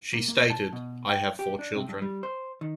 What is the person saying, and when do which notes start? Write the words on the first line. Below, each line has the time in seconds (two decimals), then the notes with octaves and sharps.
She stated, I have four children.
0.13 A#3
0.28 A#3
0.50 A5
0.73 B2
1.09 G5
1.39 G4
1.59 D4
1.76 C3
1.89 G2
2.02 G3
2.23 C5
2.61 D#3